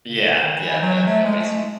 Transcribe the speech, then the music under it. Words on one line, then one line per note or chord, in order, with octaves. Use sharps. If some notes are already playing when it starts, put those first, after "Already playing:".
Yeah, yeah, no, nobody speaks
C#3
D3
D#3
E3
E3
F#3
F#3
A3
G#3
A3
G#3